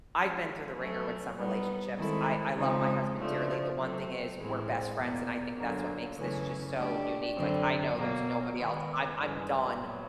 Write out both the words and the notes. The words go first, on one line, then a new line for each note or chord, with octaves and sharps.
I've been through the ringer with some relationships, I I love my husband dearly, the one thing is, we're best friends, and I think that's what makes this just so unique, like, I know there's nobody else, I'm I'm done,
F3 G#3 C#4 F4
F#3 A3 C#4
G3 B3 D#4
D#3 G#3 C4 E4 A4
C#3 F3 G#3 C4 D#4
C#3 F3 A3 D4
F#3 A3 C4
A2 E3 G#3 C4 E4
E2 B2 G3 A#3
F#2 D3 F#3 A#3
F#2 C#3 E3 A3 C#4
A3 D4 G4
F#2 D3 G3 C4
B2 F#3 A#3
D#3 G#3 B3
G2 E3 G#3
A#2 F#3 B3